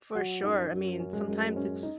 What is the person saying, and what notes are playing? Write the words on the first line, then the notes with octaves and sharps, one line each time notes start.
For sure. I mean, sometimes it's
F#3 F#4
F#2 D#4
F#2
C#4
G#3
F#2 G#3
C#4
D#4